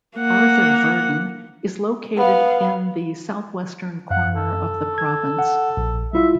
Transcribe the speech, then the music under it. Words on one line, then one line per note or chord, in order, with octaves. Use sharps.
Arthur-Virden is located in the southwestern corner of the province.
A#3 F#5
B3 F5
F#2 F5 F#5
A4
G#6
F#5
A#1
G3 E4 F4 E5